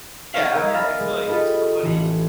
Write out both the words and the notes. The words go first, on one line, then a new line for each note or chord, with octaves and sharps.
Yeah, I mean I feel, like, if somebody's,
D#4 C#5 F5
B3 A#4 D#5 E5 G#6 D#7
F5 G#5 B5 A6 A#6 C7
G#3
F4 G4 A4 B4 D#5
A1 E3